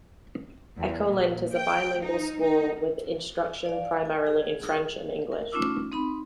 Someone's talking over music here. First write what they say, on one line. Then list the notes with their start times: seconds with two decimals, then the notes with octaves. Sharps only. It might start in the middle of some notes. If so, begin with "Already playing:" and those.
Ecolint is a bilingual school, with instruction primarily in French and English.
0.77 E2
1.07 A#2
1.54 G5
2.02 D#4
2.41 D#4
3.66 D5 F5
4.05 G#5
4.27 G#4
5.32 A#4
5.52 A3 C#4 D#4 F4 D6 E6
5.92 C4 D#4 B5